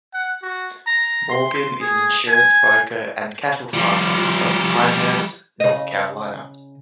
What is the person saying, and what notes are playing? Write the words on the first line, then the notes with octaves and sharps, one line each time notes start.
Morgan is an insurance broker and cattle farmer from Pinehurst, North Carolina.
F#5
F#4
A#5
C6
G#4
G#5
F3 G3
C#3 D#5